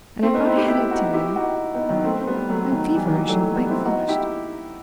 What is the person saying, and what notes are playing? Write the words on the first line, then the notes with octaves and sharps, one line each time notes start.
And I've got a headache to-day; I'm feverish and quite flushed...
A3 C4
B3 D#4
C4 E4
E4 G4
E4 G4
D#4 F#4
E4 G4
D#4 F#4
B3 D#4
D#3 F#3
A3 C4
C4
G3 B3
F#3 A3
D#3 F#3
E3 G3
D#3 F#3
E3 G3
F#3 A3
F#3 A3
G3 B3
C4 E4
D#4 F#4
E4 G4